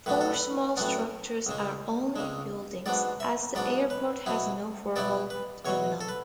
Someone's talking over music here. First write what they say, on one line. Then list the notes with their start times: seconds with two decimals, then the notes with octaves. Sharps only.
Four small structures are the only buildings, as the airport has no formal terminal.
0.06 A2 F#3 B3 D4 B4
0.21 A4
0.34 B4
0.77 A2 F#3 B3 D4
1.47 C#2 C#3 G#3
2.16 C#2 C#3 G#3
2.86 G#2 F#3 B3 D4 D5
3.20 E5
3.55 G#2 F#3 B3 D4 D5
3.90 B4
4.26 B2 F#3 B3 E4
4.96 B2 F#3 B3 E4 D5
5.30 B4
5.65 E2 B2 F#3 C#5
6.01 A4
6.09 B4